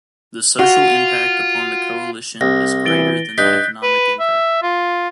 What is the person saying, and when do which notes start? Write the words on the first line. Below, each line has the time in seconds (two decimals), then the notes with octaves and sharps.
The social impact upon the Coalition is greater than the economic impact.
0.59 F4 F#4
2.41 C2 A#6
2.85 E3 A6 D7 G7
3.38 G2 D#4 F#6 G6 B6
3.83 B4
4.20 E5
4.63 F4